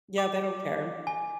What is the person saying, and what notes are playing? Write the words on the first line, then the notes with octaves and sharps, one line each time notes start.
Yeah, they don't care.
D6
G#5